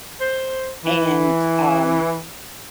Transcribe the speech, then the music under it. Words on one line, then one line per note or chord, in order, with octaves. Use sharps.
And, um,
C5
E3